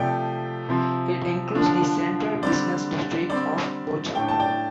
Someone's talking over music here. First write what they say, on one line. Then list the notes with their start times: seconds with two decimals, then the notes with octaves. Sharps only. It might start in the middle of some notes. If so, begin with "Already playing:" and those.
It includes the central business district of Bochum.
Already playing: C3 F3 A3 D5 G5
0.69 C3 F3 C4
1.55 D3 F3 D4
2.42 D3 G3 C4 D5
3.29 D3 G3 C4 D5
4.15 A2 A3 D4 G5
4.28 A5
4.40 D5 G5